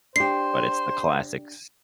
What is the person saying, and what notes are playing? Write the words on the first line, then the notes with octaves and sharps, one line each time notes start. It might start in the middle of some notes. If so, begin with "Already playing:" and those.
But it's the classics.
D4 G4 C5 C7